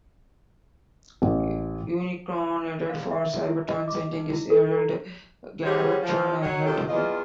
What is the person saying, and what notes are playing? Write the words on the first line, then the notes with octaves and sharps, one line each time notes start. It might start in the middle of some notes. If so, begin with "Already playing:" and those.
Unicron headed for Cybertron sending his herald, Galvatron, ahead of him.
A1
F5
E5
E4
D#5
D6
D#4
E4
A4
A#5
G3 C4 C#4 F#4 G#4 C#5
F3
F#3 C#5
C3 D#3 F#3 C#4 F4 A4
E2 F4 D#5